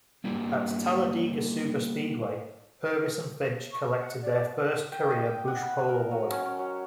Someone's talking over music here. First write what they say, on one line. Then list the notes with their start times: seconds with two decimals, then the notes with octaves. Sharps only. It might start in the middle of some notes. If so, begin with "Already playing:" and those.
At Talladega Superspeedway, Purvis and Finch collected their first career Busch Pole Award.
0.24 G3 A#3 B3 E4 G4 D5
3.71 C#6
3.99 F#5
4.22 D5
4.92 G5
5.10 D#5
5.26 G5
5.48 F#5
5.62 B5
5.89 A#4
6.11 F#3
6.31 C#4
6.45 C#4
6.59 F#3